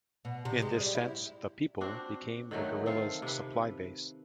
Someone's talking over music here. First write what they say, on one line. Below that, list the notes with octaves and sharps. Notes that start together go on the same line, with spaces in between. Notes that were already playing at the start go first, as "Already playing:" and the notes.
In this sense, "the people" become the guerrillas supply base.
B2
C3
G#3
G3
E4
C4 D4 F#4
D3 D#3 F#3 A3
C4 A4 F5
C3 B4